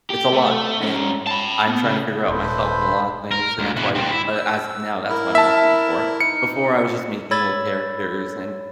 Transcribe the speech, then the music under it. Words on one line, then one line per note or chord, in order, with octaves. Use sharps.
it's a lot, and I'm trying to figure out myself in a lotta things, and that's why uh, as of now, that's what I'm looking for. Before, I was just making little characters, and
G4
A3
G#2 C#4
A5 B5
B3
C#3
D#1 A4 B4 C5
A#4
D2
B2 E3
D2 C4
E4
E6
E4 A#4
E5 A5
D#4 C#7
C#5 B5 E6 G#6 A6